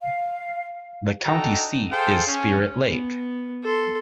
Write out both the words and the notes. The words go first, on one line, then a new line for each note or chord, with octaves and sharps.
The county seat is Spirit Lake.
F5
D4 D#4 F#4 A4 G5 A#5
G#4 A4 C5 F5 G5
C#4
B3
A4 C6